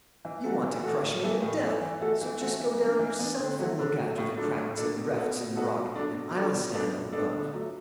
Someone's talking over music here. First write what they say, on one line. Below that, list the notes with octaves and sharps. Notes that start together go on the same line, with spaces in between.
You want to crush me to death; so just go down yourself and look after the cracks and refts in the rock, and I'll stand up above.'
E3
A3 F#4 A4
E3
A3 F#4 A4
A2
E3 B3 E4 A4
A2
E3 B3 E4 A4
E3
A3 F#4 A4
E3
A3 F#4 A4
E3
B3 D4
E3
B3 D4
D3
F#3 A3 F#4
D3
F#3 A3 F#4
A2
F#3 D4 A4
A2
F#3 D4 A4
B2
B3 F#4 A4
B2
B3 F#4 A4
B2
F#3 D4 A4
B2
F#3 D4 A4
B2
B3 D4 A4
B2
B3 D4 A4
D3
F#3 A3